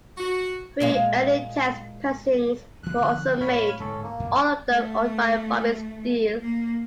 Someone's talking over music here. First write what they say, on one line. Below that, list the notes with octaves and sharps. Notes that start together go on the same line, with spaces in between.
Three early test pressings were also made, all of them owned by Bobby Steele.
F#4
A#2 G#3 F5
D2 E3 F#6
D3 F3 B3
A2 C#5 F5 B5
D1 G#2 C#4 A4
A#3
F2
A3
A#3